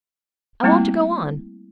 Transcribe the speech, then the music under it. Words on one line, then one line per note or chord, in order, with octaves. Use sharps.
"I want to go on."
G3 A3 A#3 C4 E4